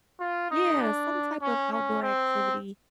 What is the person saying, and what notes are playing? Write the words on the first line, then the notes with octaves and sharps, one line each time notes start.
Yeah, some type of outdoor activity
F4
D#4
D4
C#4
C#4
C4